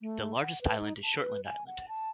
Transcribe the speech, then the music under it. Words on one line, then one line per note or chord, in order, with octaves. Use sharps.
The largest island is Shortland Island.
A3
F#5
B4
D#4
A5
B4
G#5
F#5
A5